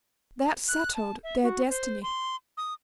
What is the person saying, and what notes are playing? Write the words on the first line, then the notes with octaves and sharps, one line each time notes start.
That settled their destiny.
F#6
A5
E5
F#4
C5
C6
D#6